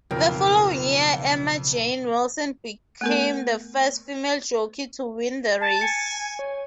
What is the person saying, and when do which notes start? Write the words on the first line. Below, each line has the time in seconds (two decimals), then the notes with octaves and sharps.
The following year, Emma-Jayne Wilson became the first female jockey to win the race.
0.11 B1 F2 C#3 A#4 G5
3.01 A3 B3 A#4
5.61 A5
5.81 G#5 C#7
6.39 C#5